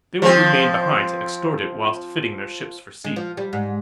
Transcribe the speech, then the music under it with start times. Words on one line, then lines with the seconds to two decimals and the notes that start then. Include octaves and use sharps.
They would remain behind to extort it whilst fitting their ships for sea.
0.22 F3 C4
3.04 G#3
3.16 F3
3.37 G3
3.53 G#2